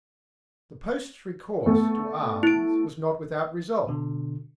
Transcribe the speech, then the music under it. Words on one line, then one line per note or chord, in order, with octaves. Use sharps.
The post's recourse to arms was not without result.
A3 B3 A4
E4 D7
B2 D3